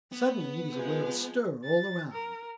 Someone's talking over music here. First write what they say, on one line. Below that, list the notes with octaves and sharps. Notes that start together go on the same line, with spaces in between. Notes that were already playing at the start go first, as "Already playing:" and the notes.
Suddenly he was aware of a stir all around.
B3 B4
F3 G#3
A6
A#4